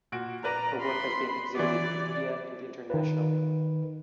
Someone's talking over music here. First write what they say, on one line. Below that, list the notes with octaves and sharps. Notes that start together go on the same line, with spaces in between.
Her work has been exhibited in India and internationally.
A#2 F#4 D7
A#4 B4 D5 A#5
B5 C6
E3 F#3 B3 D5
D#3 B4